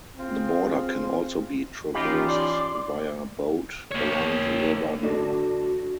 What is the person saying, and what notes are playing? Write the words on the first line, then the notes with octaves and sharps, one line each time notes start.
The border can also be traversed via boat along the river Niver.
C4 F4 G#4
E3 C#4 D#4 F4 G4 B5 D6
D5 C6
A#3 C#5
D3 A3 D4 F#4